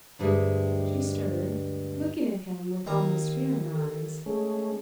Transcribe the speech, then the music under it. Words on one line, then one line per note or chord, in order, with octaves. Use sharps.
She stirred, looking at him with almost fear in her eyes.
D2 G2 G3 G#3 E5
D#2 A#5
A4
G#3 A3 C#4 G#4